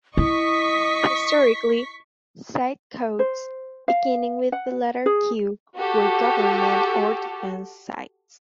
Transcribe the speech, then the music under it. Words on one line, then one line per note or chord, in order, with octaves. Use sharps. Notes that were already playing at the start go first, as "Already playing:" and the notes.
Historically, site codes beginning with the letter Q were government or defence sites.
E4 D#5 C#6 D#6 B6
C5
F5
F#5
G#4
F#4 G4 A4